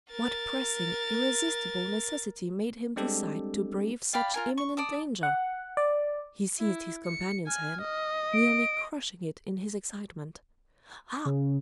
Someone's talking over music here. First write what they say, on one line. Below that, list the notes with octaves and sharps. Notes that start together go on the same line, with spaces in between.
What pressing, irresistible necessity made him decide to brave such imminent danger?" He seized his companion's hand, nearly crushing it in his excitement: "Ah!
A#4 A6
G3 G#3 C4 D4 G4 A4
D5 F5 G5 B5
F4 A#4 G#5
C#6
D5 A5 D#6
F#5
D5
E4
C#7
G#5 F6
D#5
D7
C#3